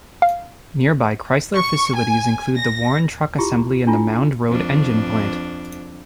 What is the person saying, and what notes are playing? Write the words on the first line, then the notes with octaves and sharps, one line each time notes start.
Nearby Chrysler facilities include the Warren Truck Assembly and the Mound Road Engine plant.
F5
C#6
G#5
A#6
E4 F4 G4 G#4
D4 E4 F4
F2 D4